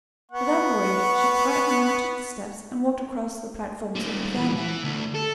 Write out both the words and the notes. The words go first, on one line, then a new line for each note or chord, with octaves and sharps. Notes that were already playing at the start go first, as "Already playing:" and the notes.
Without a word, she quietly mounted the steps and walked across the platform to the piano.
B3 F#5 C#6
A#2 G3
A#2 E3
E3
D2
A4